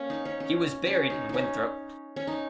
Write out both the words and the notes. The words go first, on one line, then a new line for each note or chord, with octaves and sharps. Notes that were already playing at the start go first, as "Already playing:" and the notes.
He was buried in Winthrop.
Already playing: A#3 C#4
D#4
C#4
C#4
C#4
D#4
C#4 D#4
C#4
D#4